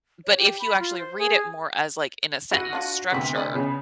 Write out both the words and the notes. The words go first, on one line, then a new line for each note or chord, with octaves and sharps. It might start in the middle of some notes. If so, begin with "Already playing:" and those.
but if you actually read it more as, like, in a sentence structure
C#5
G4
B5
F4
C5
G#4
E4 F#4 A#6 D#7
D4 F4
D2 C3 B3 C4 B6
B4 D5 D#5
C#3 B3